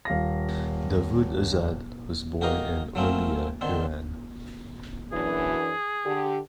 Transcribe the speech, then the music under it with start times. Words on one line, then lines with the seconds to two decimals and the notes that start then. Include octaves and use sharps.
Davood Azad was born in Urmia, Iran.
0.05 D#1 F5 A#6
2.41 F#4 G4 A#4 D#5 F5
2.95 F#3 A3 A#3 C4 C#4
3.61 D3 D#3 C4
5.12 F#2 E3 D4 G#4
6.06 D3 G4